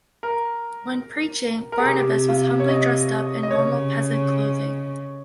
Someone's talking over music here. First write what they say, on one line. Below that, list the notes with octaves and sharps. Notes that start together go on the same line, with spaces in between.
When preaching, Barnabas was humbly dressed up in normal peasant clothing.
A#4
A#4
G#4
C3 G4
F4
C#5
D#5
D#5
C#3 C#5